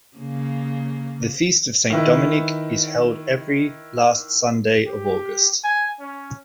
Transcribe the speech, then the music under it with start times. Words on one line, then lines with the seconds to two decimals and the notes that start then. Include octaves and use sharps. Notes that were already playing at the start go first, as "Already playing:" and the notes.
The feast of Saint Dominic is held every last Sunday of August.
0.17 C#3 A#3
1.90 D#3 E4 B4
4.86 G4
5.64 G#5
6.00 C#4